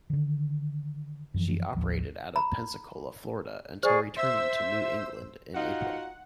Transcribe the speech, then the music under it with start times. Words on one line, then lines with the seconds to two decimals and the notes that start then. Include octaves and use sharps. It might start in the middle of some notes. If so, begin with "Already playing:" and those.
She operated out of Pensacola, Florida, until returning to New England in April.
0.10 D3 D#3
1.34 F#2 E3 F3
1.76 A1 D#2 F3
2.36 A#5 B5
3.83 G#4 C5 D5 C#6
4.16 C5 E5 E6
5.54 D#4 F4 F#4 F#5